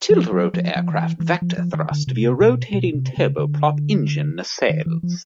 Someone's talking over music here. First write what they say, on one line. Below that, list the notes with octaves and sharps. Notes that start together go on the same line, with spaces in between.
Tiltrotor aircraft vector thrust via rotating turboprop engine nacelles.
F3
F#3
F3
F3
D#3
E3
E3
F3
F3
D#3
D3
C3
B2
C3
B2
B2
C3
C#3
D3
D#3
E3
F3